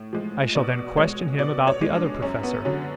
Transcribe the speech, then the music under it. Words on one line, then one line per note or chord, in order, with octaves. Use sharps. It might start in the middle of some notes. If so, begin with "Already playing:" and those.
I shall then question him about the Other Professor.
Already playing: A2
F3 G#3
B2 D5
G#3 C#5
B2 D5
C#5
G#3
D4
F#2 C#4
B3
D3 F#3 C#4